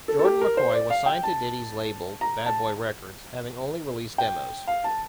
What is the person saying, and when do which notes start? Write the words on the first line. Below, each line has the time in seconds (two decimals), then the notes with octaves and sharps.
Jordan McCoy was signed to Diddy's label, Bad Boy Records, having only released demos.
0.08 A4
0.19 A4
0.24 G4
0.41 A#4
0.57 C5
0.74 D5
0.90 F5
1.06 G5
1.23 A5
2.21 A#5
2.46 A5
4.18 G5
4.67 F5
4.84 A5